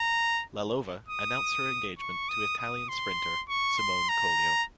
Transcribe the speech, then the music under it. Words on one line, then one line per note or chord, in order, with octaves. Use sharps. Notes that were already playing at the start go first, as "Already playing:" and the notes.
Lalova announced her engagement to Italian sprinter Simone Collio.
Already playing: A#5
D#6
C#6
D#6
D#6
C6
C#6
C6
A#5